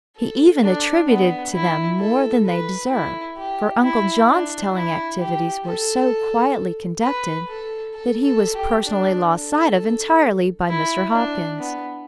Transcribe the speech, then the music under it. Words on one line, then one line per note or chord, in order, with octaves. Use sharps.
He even attributed to them more than they deserved, for Uncle John's telling activities were so quietly conducted that he was personally lost sight of entirely by Mr. Hopkins.
A4
D4
B3
E4
A4
B4
E4
G4
E4
D4
E4
G4
A4
B4
A4
A4
A4
G4
D4
A4
E4
D4
B3